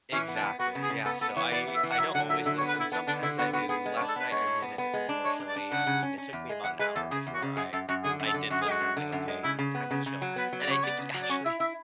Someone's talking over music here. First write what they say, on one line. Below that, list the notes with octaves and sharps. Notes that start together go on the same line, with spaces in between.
Exactly, yeah, so I I don't always listen, sometimes I do, last night I didn't unfortunately, I mean, it took me about an hour before I I did listen, I'm like, "Okay, time to chill." And I think he actually
E3 C#4
B3
D4
B3
B3 F#4
C#3
G#4
C#3
B3 A4
B3 A4
E3 C#5
B3 D5
E3
E5
E3
F#5
F#3 E5
D3 F#5
F#3 E5
D3 E5
C#5
B3
B4
B3 E4
B3 D4
D3 D4
D3 E4
B3 F#4
B3 F#4
B3 G#4
G#3
C#5
D4
A4
B3 B4
G#3 C#5
A2
B3
B3
G#3
D4
G#3 C#5
D4
D5
D4
C#3 F#5
C#3
C#4
C#4
E2
G#3
E2 F#5
G#3 B4
E2 A4
C#3 G#4
E2
F#4
C#3
F#2 G#4
F#2 A4
F#2 F#4
D3 G#4
F#2
A4
D3
F#2 F#4
G#4
G#3
F#4
F#2
D3
F#2
G#3
C#3 E4
C#3
B3
C#3
C#3
F#3
B3 B4
F#3
D5
C#3 C#5
B3 D5
C#3
F#3
D5
C#4 C#5
E4 E5
E4 E5